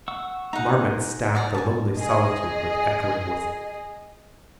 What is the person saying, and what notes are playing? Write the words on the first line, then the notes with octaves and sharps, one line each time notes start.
Marmots stabbed the lonely solitude with echoing whistle.
F#5 C#6 E6
D#4 F#5 G#5 A#5
D5 F#5 A#5
G#5 A5
G#4 D#5